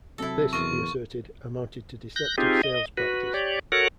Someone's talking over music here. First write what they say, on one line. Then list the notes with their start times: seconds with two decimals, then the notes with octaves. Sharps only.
This, he asserted, amounted to deceptive sales practice.
0.18 C3 F#3 E4 A4
0.53 E2 F4 A#4 C#6
2.16 F#6 G6 A#6
2.38 C4 D#4 F4 G4 G#4
2.63 D#5
2.97 F#4 B4
3.34 G4 C#5 D5
3.72 F#4 A4 A#4 C#5 F#5